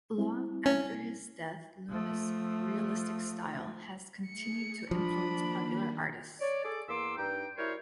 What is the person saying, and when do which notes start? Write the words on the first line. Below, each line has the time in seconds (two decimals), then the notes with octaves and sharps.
Long after his death, Loomis' realistic style has continued to influence popular artists.
0.18 G3 C4 E4
0.66 C#4
1.89 F3 A3
4.27 A3 G#4 C#7
4.91 F3 D4 B5 D#6
5.27 D#3 A#3
6.40 C#5 D5
6.64 G#4 A4 D5
6.88 E2 A#3 C6 D6 E6
7.17 G2 D#4 G5
7.57 G3 E4 F#4 A#4 C5 C#5